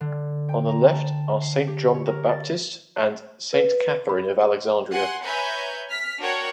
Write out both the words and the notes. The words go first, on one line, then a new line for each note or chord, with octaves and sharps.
On the left are Saint John the Baptist and Saint Catherine of Alexandria.
D3
G5
A#5
A5
C7
G4
C#5
A#4
A6
B4
B5
F#5 G#5 C6
B4 C#5 E5 G#5 A#5 G6
F6 B6
D4 F#4 A#4 C#5 F#5 G5